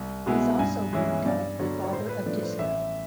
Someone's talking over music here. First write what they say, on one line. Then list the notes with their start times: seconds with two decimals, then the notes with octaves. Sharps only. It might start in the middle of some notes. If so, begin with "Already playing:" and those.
He has also been dubbed the "Father of Disco".
Already playing: C2
0.26 B2 G#3 B3 E4
0.59 G2 G#5
0.93 E3 G#3 C#4 E4
1.26 G2 D5
1.59 D3 F#3 C#5
1.84 C#5
1.92 A2 C5
2.09 B4
2.26 F3 A3 D4
2.43 C5
2.59 A1 E5